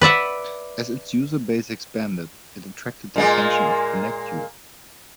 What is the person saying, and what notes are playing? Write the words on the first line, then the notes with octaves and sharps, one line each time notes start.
As its user-base expanded, it attracted the attention of ConnectU.
B4 D5 E5 F#5
A#2 G#3 A#3